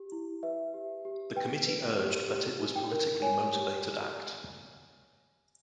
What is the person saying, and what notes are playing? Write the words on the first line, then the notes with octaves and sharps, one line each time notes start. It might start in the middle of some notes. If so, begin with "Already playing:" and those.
The committee urged that it was politically motivated act.
Already playing: G4
E4
B4 E5
G4
G4
B4 G5
B4
G4
G4
D#4
G5
A#4
C#5 G#5
G4